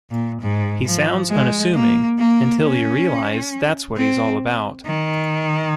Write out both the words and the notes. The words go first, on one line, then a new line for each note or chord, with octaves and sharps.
He sounds unassuming until you realize that's what he's all about.
A#2
G#2
F3
G#3
A#3
A#3
C#4
C4
D#3